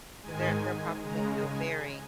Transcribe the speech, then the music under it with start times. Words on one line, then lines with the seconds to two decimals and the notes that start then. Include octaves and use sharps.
'Cause they're they're probably still very
0.21 G#2 D#3 G#3 G#5
1.03 C#3 G#3 A#5
1.44 G#5